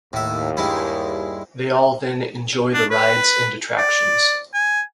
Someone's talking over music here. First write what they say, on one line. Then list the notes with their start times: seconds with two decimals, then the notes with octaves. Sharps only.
They all then enjoy the rides and attractions.
0.13 D#2 A2 E5
0.57 G2 G#3 E4
2.74 D4
2.91 B4
3.78 D5
4.54 G#5